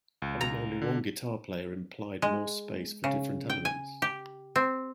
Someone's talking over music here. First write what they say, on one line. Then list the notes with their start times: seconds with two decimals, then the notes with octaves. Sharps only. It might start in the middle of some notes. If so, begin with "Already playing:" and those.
Having only one guitar player implied more space for different elements.
0.22 C#2
0.41 A#5
0.82 D3
2.22 G#3
3.04 C#3
3.50 G5
3.65 G#5
4.02 G4
4.56 C4